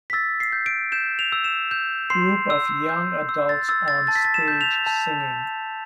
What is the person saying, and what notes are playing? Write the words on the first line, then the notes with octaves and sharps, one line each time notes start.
Group of young adults on stage singing.
B6
E6 A6
C7
G6
D7
G6 E7
F7
E6
E7
G6 E7
C6 C7
E6
G6
E6
A6
E6 A6
A6
A5 A6
B6
A6
E7
G6
F7
A5